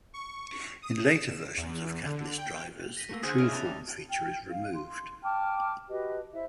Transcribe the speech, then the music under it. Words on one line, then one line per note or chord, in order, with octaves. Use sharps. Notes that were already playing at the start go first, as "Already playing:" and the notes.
In later version of Catalyst drivers, the TruForm feature is removed.
C#6
D#6
E7
E2
D3
G5
A#6 B6 D#7
A3 A#3 E6 A#6
D3 G#4 C5 F#5 D#6
C#4 D#4 F4 E5
E3 D#5 A5 A#5 A6 F7
G3
G5 F6
F5
C6
G5 A5 D6 F6
F#4 G4 B4 D#5
E4 C5 E5